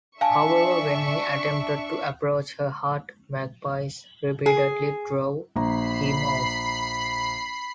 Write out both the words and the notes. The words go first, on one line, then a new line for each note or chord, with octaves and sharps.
However, when he attempted to approach her hut, magpies repeatedly drove him off.
D4 E5 F5 G#5 A5 C#6
G#4
A#1 A#5 B5 C7